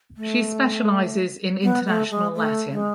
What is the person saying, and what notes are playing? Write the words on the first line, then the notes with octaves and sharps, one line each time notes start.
She specializes in International Latin.
A3
B3
A3
G#3
A3
G#3